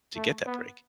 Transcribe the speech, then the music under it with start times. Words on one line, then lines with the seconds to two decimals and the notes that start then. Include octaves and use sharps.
to get that break?
0.16 A3
0.47 B3